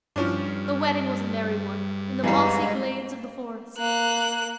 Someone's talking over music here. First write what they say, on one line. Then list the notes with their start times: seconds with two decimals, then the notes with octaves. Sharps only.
The wedding was a merry one, in the mossy glades of the forest.
0.16 G2 F3 C#4 D4
2.24 E3 G3 G#3 B4 D#5 F5 A#5
3.78 A#3 F#6